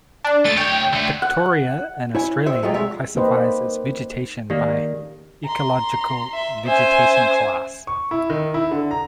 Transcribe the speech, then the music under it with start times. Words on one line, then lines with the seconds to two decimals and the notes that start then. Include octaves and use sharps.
Victoria in Australia classifies its vegetation by Ecological Vegetation Class.
0.24 D4
0.45 D3 A3 A6
0.57 D2 C#5 G5
0.93 D3 A3
1.22 F#5
2.15 E4 C#5 G#5
2.46 G4 C5 C#5 E5
2.63 F#3 G#3 A3 D#4 F4 G4
2.74 C2 G#3 C#5 E5
3.15 A#3 D#4 G4 B4 C5 D#5
4.50 D#3 A#3 G4 D5
5.44 A#5 C6
6.34 E5
6.65 C#4 C5 E5 G#5
7.87 C#6
8.11 E4
8.30 D#3
8.54 E4
8.71 D3
8.91 A#5